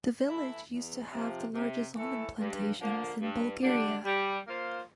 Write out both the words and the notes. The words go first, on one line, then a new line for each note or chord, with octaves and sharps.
The village used to have the largest almond plantations in Bulgaria.
E3 A3 E4
E2
C3 F3
C3
E3 A3 E4 A4
G2
D3 F3 A#3
G2
D3 G3 D4
G3
A#3 F4 C5